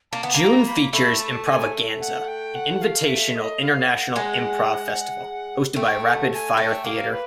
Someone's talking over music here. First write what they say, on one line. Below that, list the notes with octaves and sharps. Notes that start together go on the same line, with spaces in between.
June features Improvaganza, an invitational international improv festival, hosted by Rapid Fire Theatre.
A#3 A5
B3
A#3 A#5
B5
A3 B5
A5
G#5
F#5
G5
F#5
F5
E5
D#5
F5
F#5
G#3
A3 G5
F#5
A5
G#5
A3 G5
A#3 F5 F#5
B4